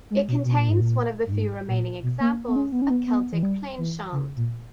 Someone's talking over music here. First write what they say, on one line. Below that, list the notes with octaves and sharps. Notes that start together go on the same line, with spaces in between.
It contains one of the few remaining examples of Celtic Plainchant.
G#3
B2
B2
A#2
G#2
A#2
G2
G#2
A#2
B2
A#3
B3
C#4
B3
C#4
B3
B3
E3
G3
E3
C#3
A#2